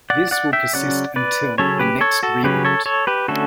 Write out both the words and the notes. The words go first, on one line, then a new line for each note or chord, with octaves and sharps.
This will persist until the next reboot.
D5 F#5
D5 F#5
E5 G5
C#3 F#3 C#4 D5 F#5
B4 D5
C#3 F#3 C#4 A4 C#5
G4 B4
A4 C#5
F#4 A4
C#3 F#3 C#4 G4 B4
A4 C#5
A4 C#5
G4 B4
D3 A3 C#4 F#4 A4